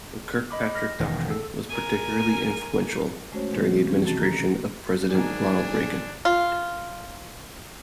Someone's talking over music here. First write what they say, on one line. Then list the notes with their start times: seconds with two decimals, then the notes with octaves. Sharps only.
The Kirkpatrick Doctrine was particularly influential during the administration of President Ronald Reagan.
0.51 D#5 B5 D6
0.75 F6 A#6
1.00 E1 D#3
1.28 A4 E6
1.69 A#4 G#5
3.32 G#3 A3 C#4 F#4 C5 C#5
3.51 B2 E3 G#3 C4
3.86 E3 F3 C4 C#4 F#4 G4
4.04 C3 D#3 A#3 F#4 A5 A6
4.18 G4 A4 A#5
5.11 G#2 D#3 A#3 D4 G#5
6.25 F4